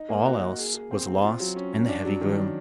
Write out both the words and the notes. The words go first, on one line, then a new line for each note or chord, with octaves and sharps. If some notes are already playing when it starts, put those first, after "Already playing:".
All else was lost in the heavy gloom.
Already playing: D#4
A#3
F#4
A#3
G#4
G#4
C4
C4
F4
F#3
C#4
C#4
D4
F#3
D#3
D4